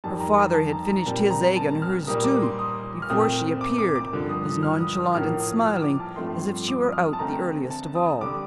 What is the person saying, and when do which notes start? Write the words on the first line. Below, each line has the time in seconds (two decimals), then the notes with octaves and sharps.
Her father had finished his egg and hers too, before she appeared, as nonchalant and smiling as if she were out the earliest of all.
0.04 F2 D#3 G3 A5
0.20 A#5
0.38 A#5
0.54 A5
0.72 A#5
0.89 A#5
1.06 A#2 G3 C4 A5
1.31 A#5
1.57 A5
1.82 F6
2.07 A#2 G3 A#3 D#6
2.24 D6
2.42 C6
2.59 D#6
3.02 F6
3.10 A#2 A3 C4 D#6
3.61 D6
3.78 D6
3.96 D6
4.13 G2 D3 F3
4.29 D#6
4.46 D#6
4.63 F6
4.80 D#6
4.97 D#6
5.14 A2 F3 A#3 F6
5.40 D#6
5.66 F6
5.82 D6
6.00 A5
6.16 G2 F3 A3 C4 C6
6.68 D6
6.80 D#6
6.93 F6
7.06 D#6
7.13 A5
7.19 D3 A3 C4 A#5
7.71 A5
7.95 D#6
8.21 D3 G3 D6